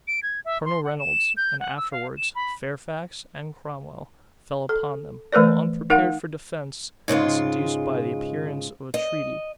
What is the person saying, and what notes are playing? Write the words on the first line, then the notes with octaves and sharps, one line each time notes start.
Colonel Reynolds, and afterwards Fairfax and Cromwell, fell upon them, while unprepared for defence, and seduced by the appearance of a treaty.
D7
G#6
E5
C6
F#5
E7
G6
F#5
E6
F5
E7
B5
A4
E3 A3 A#4 B4 D5
D#4 A#4 F5 F#5
G#2 C#3 G#3 F4
D#5